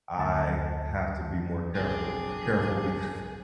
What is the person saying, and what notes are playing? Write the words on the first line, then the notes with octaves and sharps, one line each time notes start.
I have to be more careful c careful becau
D2 A5
F#1 B1 F#3 C4 D4 G#4